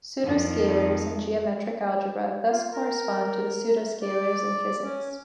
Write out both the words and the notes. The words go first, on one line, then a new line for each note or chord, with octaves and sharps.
Pseudoscalars in geometric algebra thus correspond to the pseudoscalars in physics.
F2 D#3
F4
A#4
D5
C#4